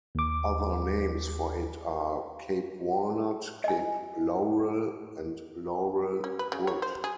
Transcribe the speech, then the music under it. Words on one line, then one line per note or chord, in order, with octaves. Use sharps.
Other names for it are Cape Walnut, Cape laurel, and laurel wood.
D#2 D6
D#5 G#5
C#4
B4
C#3
C#5
C5
G#4